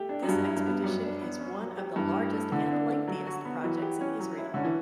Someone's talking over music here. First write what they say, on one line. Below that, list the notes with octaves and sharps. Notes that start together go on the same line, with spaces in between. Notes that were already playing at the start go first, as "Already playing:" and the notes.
This expedition is one of the largest and lengthiest projects in Israel.
Already playing: A3 G4
D4
F#2
G2 F#3
E4
G2
B3
F#2 G3
D4
B3
C#4
F#3
G4
G2 E3
A2
A3
D3 E3
D4
A3
F#3
F#4
B3
E3 F#3
G4
C#4
F#3
E4
D3 C#4
E3